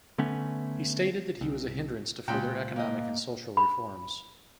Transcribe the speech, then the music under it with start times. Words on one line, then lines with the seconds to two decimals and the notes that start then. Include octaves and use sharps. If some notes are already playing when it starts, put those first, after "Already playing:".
He stated that he was a hindrance to further economic and social reforms.
0.18 D3 A3 B3 C#4
1.41 C2
2.28 C#2 A#2 G5
2.76 A#3 D#5
3.57 B5